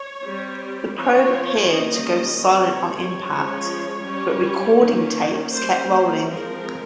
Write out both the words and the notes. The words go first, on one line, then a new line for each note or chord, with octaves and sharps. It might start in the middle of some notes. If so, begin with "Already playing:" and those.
The probe appeared to go silent on impact but recording tapes kept rolling.
Already playing: C#5
G3 C4
F3 C4 C#5
D#3 G3 A#3 C#4 D#5
G3 C4 C#5
F3 G#3 C#4
G3 C#4
D#3 A#3 C#4
G3 A#3 C#4 C5
C5
F3 G#3 C4 A#4